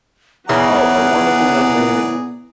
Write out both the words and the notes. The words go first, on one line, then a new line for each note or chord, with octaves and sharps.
uh, a wonderful young man,
C#3 E3 B3 G#4 A#4 D5 F#5 A#5